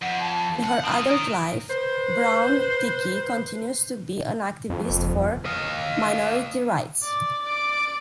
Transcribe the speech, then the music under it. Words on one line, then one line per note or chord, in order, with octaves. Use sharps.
In her adult life, Brown-Trickey continues to be an activist for minority rights.
F2 F#5
A5
F#5
C4 F4 D#6
A#4 D#5
B4 C5
F2
F#1
D#5 F5
D5
D5 D7